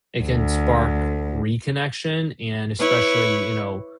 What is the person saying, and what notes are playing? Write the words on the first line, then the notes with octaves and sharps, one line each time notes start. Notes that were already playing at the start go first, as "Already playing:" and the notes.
it can spark reconnection and especially, you know,
D2
E4 B4 C#5